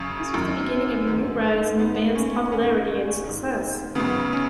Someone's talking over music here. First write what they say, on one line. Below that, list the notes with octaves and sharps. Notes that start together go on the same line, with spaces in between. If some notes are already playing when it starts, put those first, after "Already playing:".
This was the beginning of a new rise in the band's popularity and success.
Already playing: F#2 C#3 C#4
F#2 D#3
G#2 D#3
G#2 D#3 B3
B3
C#4
C#4
G#2 D#3 C#4
G#2 D#3
F#2 C#3 B3
C#4